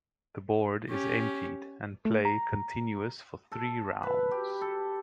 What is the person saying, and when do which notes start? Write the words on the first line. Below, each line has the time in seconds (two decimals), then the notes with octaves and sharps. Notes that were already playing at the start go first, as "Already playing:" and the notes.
The board is emptied and play continues for three rounds.
0.89 C#4 G4
2.05 A3
2.25 A#5
3.52 A4
4.03 B4
4.31 G4
4.61 A4